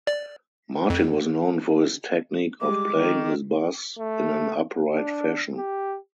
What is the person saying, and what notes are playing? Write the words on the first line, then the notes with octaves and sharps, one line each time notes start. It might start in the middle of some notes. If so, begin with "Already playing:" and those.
Martin was known for his technique of playing his bass in an upright fashion.
D5
F2
G3 G#3 D6
D#3
A3
D4
G4